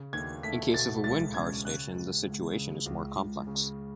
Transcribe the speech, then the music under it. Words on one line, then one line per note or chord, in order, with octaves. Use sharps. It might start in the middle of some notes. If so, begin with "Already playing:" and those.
In the case of a wind power station, the situation is more complex.
Already playing: C#3
D#2 G#6
A3 B6
B2 A6
C#2 A6
C#4 G#6
C#3 F#6
C#2
C#2
C#3
C#2
C#2
C#3